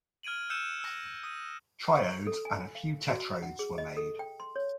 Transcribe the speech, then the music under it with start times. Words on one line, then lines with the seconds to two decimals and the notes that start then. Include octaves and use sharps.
Triodes and a few tetrodes were made.
0.23 F6 G#6 D7 D#7 F#7
0.50 E6 F#6 G6 C#7 D#7 E7
0.81 E6 A#6
1.23 D#6 D#7
2.04 C#6
2.27 A4
2.45 G#5
2.75 F5
3.09 F#4
3.43 F#5
3.59 G#4
3.78 D#5
3.97 A4
4.19 G5
4.40 C6
4.56 C#5